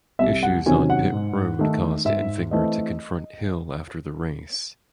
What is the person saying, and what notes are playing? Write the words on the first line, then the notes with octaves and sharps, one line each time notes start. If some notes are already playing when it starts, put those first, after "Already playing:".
Issues on pit road caused Enfinger to confront Hill after the race.
C2 E5
F#5
C3 D#3 F#3 C#4 G#5
F#5
G#2
D#3 A3 D#4
G#2 E5
E3 A3 C4 D#5